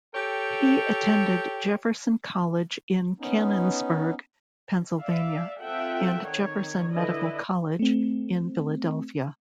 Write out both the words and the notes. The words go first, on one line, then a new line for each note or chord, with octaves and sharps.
He attended Jefferson College in Canonsburg, Pennsylvania, and Jefferson Medical College in Philadelphia.
G4 A4 C#5 G5
B3 C#4 D#4
D5 E5 F5
C4 F4 A4 E5 F#5 G5
D#3 C4 C#5
D3 E4 B4 D5 D#5
A3 C4